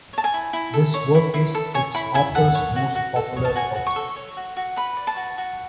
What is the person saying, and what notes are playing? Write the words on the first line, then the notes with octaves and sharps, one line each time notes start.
This work is its author´s most popular work.
C#5 A5
G#5
E4
E4
A4
C#5
E4
E4
A4
C#5 G#5
E4 B5
E4 G#5
A4 F#5
C#5
F#4
F#4
A4
C#5
A5
F#4 G#5
F#4
C#6
A4
C#5
F#4
F#4
B4 B5
D5
A5
F#4
F#4